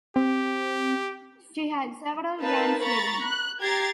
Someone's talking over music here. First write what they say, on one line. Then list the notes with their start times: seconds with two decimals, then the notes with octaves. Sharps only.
She had several grandchildren.
0.16 C4 G4
2.41 A#3 D#4 B4 F5 A5
2.82 A#5 B5 C#6 A6
3.26 F#6
3.61 G4 A#5 G#6 A6 C7